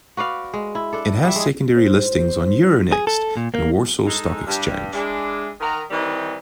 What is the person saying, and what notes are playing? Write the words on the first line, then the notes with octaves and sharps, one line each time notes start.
It has secondary listings on Euronext and Warsaw Stock Exchange.
F#4 B4 D5 F5
G#3
E4
D4 A4
G3 E5
G#3 G#4
C5
G#4
A4
A#2
A#3
G#3 D#4 A4
G2 G3
G#3 D4 E4
D#3 A#4 D#5 F#5 A#5
D#3 E3 G3 C4 D#4 E4